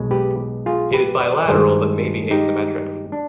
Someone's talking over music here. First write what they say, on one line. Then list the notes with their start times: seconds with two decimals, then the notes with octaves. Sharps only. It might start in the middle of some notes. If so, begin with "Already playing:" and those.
It is bilateral, but may be asymmetric.
Already playing: B1 B2 G#3
0.11 G4 B4
0.66 F4 G#4
0.94 G4 B4
1.20 B4 D5
1.48 G2 D#3 G#3 G#4 C5
2.31 D#4 G4
3.12 D4